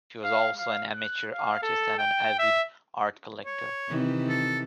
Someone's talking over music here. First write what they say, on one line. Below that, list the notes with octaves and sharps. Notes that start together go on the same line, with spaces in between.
He was also an amateur artist and an avid art collector.
F5
F5
F#6
F5
A4
G5
E5
C#5
C3 D#3 E3
A4